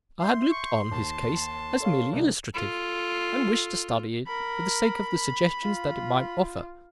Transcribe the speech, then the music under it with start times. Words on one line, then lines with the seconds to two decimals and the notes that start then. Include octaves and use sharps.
I had looked on his case as merely illustrative, and wished to study it for the sake of the suggestions that it might offer.
0.20 E5 C6 G6
0.50 C#6
0.91 D#2 A5
1.80 A4 C#5 F5
2.13 C2 D3
2.54 F4 A4
4.27 A#4 B5
5.63 F4